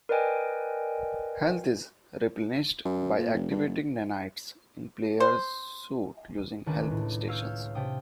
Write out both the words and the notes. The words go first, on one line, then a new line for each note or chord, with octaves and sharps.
Health is replenished by activating nanites in player's suit using health stations.
A#4 B4 D5 D#5 G5 G#5
F#2
A#2
F1
G2
F#1
C5
C#2 D#3 C#4 D4 B4 G#5
A2
C#5 F5 E6 G6
C3 D4 G5 D#6